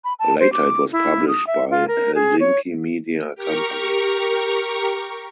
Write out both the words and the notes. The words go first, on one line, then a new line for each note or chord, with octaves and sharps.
Later it was published by Helsinki Media Company.
B5
A5
C5
D6
E4
D#6
E5
F4
A#4
G#4
C#5
G4 A#4 A#5 C#6